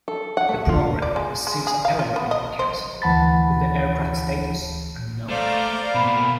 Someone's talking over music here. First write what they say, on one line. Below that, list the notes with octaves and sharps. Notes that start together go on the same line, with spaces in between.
The programme has since apparently been cancelled, with the aircraft's status unknown.
A4
F#5
A3
F4
D5
G#3
G#3
G#4
F5
F4
B3
D#5
C5
D2 E3 F#5 A5 B5 A6
A3 C5 D5 F5 A#5
B2 A#3 B5